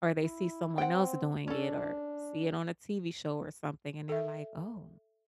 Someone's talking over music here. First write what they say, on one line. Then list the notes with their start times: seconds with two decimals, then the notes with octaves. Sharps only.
or they see someone else doing it, or see it on a TV show or something, and they're like, "Oh."
0.23 E4
0.78 C4 F#5 G5
1.48 C#4 D4 A4
4.09 A4 E5